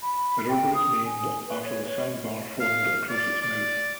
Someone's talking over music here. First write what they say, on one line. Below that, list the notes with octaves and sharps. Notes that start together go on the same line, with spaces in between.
The river is named after the sand bar formed across its mouth.
B5
G5
D#6
G#5
B4
C#5
C#5
F5
D5
D5